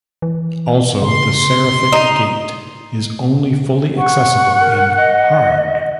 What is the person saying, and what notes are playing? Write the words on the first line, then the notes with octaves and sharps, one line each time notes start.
Also, the Seraphic Gate is only fully accessible in Hard.
E3
C#3 C6
D#4
F#5 C#6
A#4
D#5